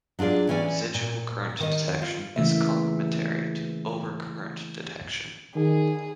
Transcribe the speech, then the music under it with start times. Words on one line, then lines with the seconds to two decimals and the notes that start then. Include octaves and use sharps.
Residual-current detection is complementary to over-current detection.
0.19 F#3 D4 F4 G#4 D5
0.49 E3 C#4 D5 G#5
0.94 A#2
1.60 D#3 D#5
2.02 F4
2.36 C#3 E3 A3 A#3 E5
5.56 D#3 G#4